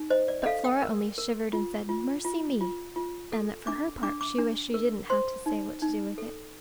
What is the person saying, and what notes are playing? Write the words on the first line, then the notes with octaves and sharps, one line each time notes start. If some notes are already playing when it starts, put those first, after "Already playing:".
But Flora only shivered and said "Mercy me!" and that, for her part, she wished she didn't have to say what to do with it.
Already playing: D#4
C5 D#5
D5
D#5
A4 F5
G5
A#4
A#4
F4
F4
F4
F4
F4
A4
D4 D6
D4 D6
D6
D4
A#4
C5 C6
D#4
D#4
A4